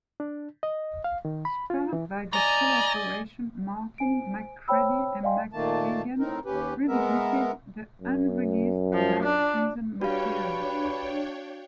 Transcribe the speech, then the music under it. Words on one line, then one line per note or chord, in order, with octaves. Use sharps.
Spurred by this collaboration, Martin, McCready and McKagan revisited the unreleased Mad Season material.
D4
D#5
F5
D#3
B5
F4
E3
D5 D#5 G#5 A#5
C5 G#5 D7
C5 C#5 G5 B5 E6
D5 D#5 F5 G5 G#5 C6
A#2 D#3 A3 A#3 A5
A2 C4 D#4 A#4
D#2 C#4 G4 B4
G#3 B3 A#4 E5
F#2
F3
D4
G3 D4 F#4 B4 C#5 F5 G5